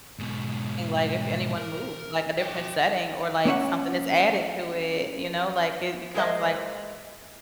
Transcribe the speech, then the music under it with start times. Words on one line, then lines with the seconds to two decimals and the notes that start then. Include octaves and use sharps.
like if anyone moves, like a different setting or like something is added to it, you know? Like, it becomes, like
0.19 G#2 B2
1.58 A#4
2.39 F#4 G5
3.45 A#3 C#4 E5 F#5
6.14 F#3 G#3 A#3 C5 D#5 E5